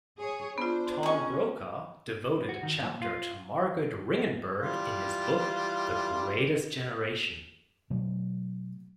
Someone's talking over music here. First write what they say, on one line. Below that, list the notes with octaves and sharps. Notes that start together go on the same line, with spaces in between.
Tom Brokaw devoted a chapter to Margaret Ringenberg in his book "The Greatest Generation".
G#4 C#5
B3 D4 F4 C5
C#4 G#4 C#6
F#4
D#3
A#2
F4
E3 G3 F4
B2 F#3 A3